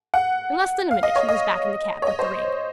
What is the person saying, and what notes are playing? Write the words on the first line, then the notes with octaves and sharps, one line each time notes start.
In less than a minute he was back in the cab with the ring.
F#5
F5
D#5
C#5
D#5
C#5
D#5
C5